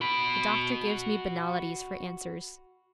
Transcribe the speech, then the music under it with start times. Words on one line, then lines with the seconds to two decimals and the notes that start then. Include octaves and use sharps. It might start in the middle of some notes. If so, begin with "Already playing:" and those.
The doctor gives me banalities for answers.
0.01 F#4 B5